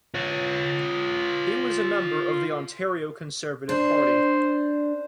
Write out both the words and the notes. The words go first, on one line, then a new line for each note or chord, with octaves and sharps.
He was a member of the Ontario Conservative Party.
F4 C#5
D4 C5